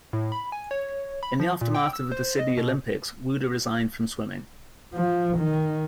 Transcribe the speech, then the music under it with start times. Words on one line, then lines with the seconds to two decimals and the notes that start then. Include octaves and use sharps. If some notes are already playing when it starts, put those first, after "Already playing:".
In the aftermath of the Sydney Olympics Wouda resigned from swimming.
0.13 A2
0.32 B5
0.52 G#5
0.71 C#5
1.23 B5
1.40 F3
1.61 A#2
1.74 G5
1.93 E6
2.12 C5
2.39 D#5
2.57 B2
4.94 F3
5.38 D#3